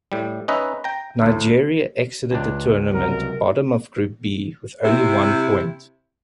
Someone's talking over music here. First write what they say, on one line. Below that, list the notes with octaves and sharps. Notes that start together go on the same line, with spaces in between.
Nigeria exited the tournament bottom of Group B with only one point.
A2 G3
C#4 D#4 B4 D#5 E5
G5 A#5
D2 A2
C#2 D4
C2 F#3 A#4
C3 E4